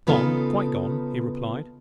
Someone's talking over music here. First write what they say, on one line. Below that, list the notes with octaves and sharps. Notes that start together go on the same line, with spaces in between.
"Gone, quite gone," he replied.
C#3 B3 D#4 F4 A4